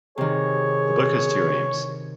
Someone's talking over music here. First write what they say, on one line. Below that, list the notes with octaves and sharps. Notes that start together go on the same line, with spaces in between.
The book has two aims.
C3 D#3 G#4 C#5